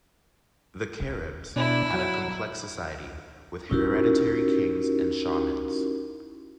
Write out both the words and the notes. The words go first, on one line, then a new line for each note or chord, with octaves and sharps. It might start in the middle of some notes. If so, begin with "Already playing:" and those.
The Caribs had a complex society, with hereditary kings and shamans.
B2 D4 E4
F#3
C#4 D#4 E4 F#4 G4 A#4